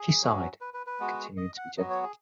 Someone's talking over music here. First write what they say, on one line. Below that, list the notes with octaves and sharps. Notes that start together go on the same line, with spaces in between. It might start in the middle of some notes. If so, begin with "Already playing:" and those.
She sighed, continuing to be gentle.
Already playing: G#4
F#3 C#4 F#4
B4
B4
B4
G#3 B3 F#4
D#5
F#5
F#3 B3 F#4 D#5
C#5
G#4